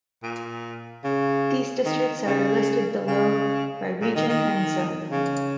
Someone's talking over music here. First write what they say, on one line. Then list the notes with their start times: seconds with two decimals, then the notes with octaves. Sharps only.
These districts are listed below, by region and zone.
0.23 A#2
1.04 C#3
1.85 D#3
2.27 C#3
3.07 C#3
4.02 A#2
4.16 D#3
4.29 D#3
5.10 C#3